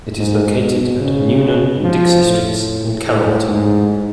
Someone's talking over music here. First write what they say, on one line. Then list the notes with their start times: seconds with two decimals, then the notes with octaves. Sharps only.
It is located at Newnan and Dixie Streets in Carrollton.
0.18 G#2
0.59 B2
1.01 C#3
1.83 F3
2.24 A2
3.07 A2
3.49 G#2